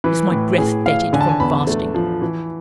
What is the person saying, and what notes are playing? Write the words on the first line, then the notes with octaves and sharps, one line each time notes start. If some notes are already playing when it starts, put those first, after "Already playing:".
Is my breath fetid from fasting?
E3 B4
A2
A2 G#4
A2 F5
D3 G#5
A5
G#5
E2 B5
A3
F3
E3